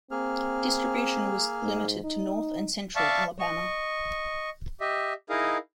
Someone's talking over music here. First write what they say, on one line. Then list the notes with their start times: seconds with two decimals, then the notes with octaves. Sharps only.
Distribution was limited to north and central Alabama.
0.11 A#3 C4 G#4 F6
1.63 G#2
2.04 D#4
2.96 D5 E5 F5 A5 C#6
3.40 D#5 C#6
4.80 G4 D#5 E5
5.30 D#4 E4 G#4 A#4 D#5 F5